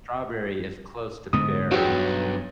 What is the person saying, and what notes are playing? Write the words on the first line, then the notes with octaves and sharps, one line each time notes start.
strawberry is close to berry,
G#2 D3 B3 D#6
B1 G2 F#4 G4